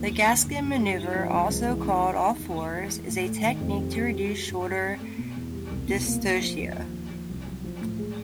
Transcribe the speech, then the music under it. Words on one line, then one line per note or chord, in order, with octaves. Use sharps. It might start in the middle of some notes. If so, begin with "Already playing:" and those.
The Gaskin Maneuver, also called all fours, is a technique to reduce shoulder dystocia.
Already playing: D#2 F3
D#2
D3
G2
G2
G3
E4
F3
C#2
C#2
E3
C#3
G3
D#4
E2
A3
E3
G#3
A2
A3
D#3
F2
G3
G3
F#4
G#3
G2
G#3
C4
A3
B2
E2
G3
C2
B2
A#3
A#3
F3
D#2
D#2
F3
F3
C2
F#3
F3
A2
G#3